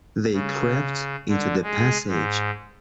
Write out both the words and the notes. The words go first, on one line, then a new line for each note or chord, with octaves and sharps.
They crept into the passage.
C#3
D3
G#3
G#2